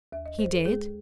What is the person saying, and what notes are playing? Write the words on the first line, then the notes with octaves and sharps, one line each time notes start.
"He did."
D#2 E5
D#5
D#2 C5
A4
G#3 G#4